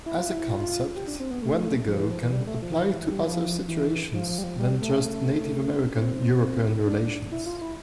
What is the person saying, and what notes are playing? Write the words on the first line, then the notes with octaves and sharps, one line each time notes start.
As a concept, wendigo can apply to other situations than just Native American-European relations.
E4
F4
E4
E4
F4
G4
D4
C4
B3
A3
F3
E3
F3
E3
G3
A3
F3
E3
G3
F3
E3
F3
F3
G3
F3
G3
A3
A3
C4
D4
E4
F4
E4